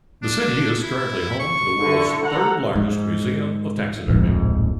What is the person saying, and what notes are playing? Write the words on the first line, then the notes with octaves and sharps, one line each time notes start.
The city is currently home to the world's third largest museum of taxidermy.
D4
E4
C#6
D3 E4
A4 F#5 A#5
G#2
D1 A#1 F2 G#2